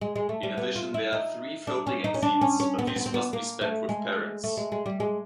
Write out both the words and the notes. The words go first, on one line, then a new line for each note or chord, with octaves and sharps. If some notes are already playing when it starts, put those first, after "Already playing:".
In addition, there are three floating exeats but these must be spent with parents.
G#3
G#3
A3
G3
B3
F4
E4
D#4
D4
C#4
D#4
C#4
D4
C#4
C#4
B3
C4
B3
C4
B3
A#3
A3
G#3
A3
G#3
G#3
G3
G#3